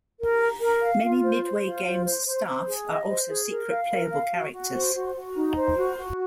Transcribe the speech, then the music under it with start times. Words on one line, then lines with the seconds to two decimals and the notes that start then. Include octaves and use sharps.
Many Midway Games staff are also secret playable characters.
0.19 A#4
0.40 A#5
0.60 A#4
0.82 F5
1.02 F4
1.23 C5
1.44 C5
1.64 F4
1.84 C5
2.05 C5
2.26 C5
2.46 C5
2.67 G#4
2.88 D#5
3.08 C5
3.29 G#4
3.50 A#4
3.70 F5
3.92 A#4
4.11 F5
4.33 F#4
4.53 F#4
4.73 C5
4.94 F#4
5.15 F#4
5.36 D#4
5.56 C5
5.77 F#4
5.97 F#4